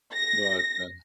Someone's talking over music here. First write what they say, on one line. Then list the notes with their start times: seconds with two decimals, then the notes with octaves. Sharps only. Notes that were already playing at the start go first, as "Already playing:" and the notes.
but, uh
0.13 A#6